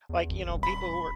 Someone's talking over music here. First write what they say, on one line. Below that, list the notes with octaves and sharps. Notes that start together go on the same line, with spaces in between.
like, you know, people who are
E2
G#1
D#1
B5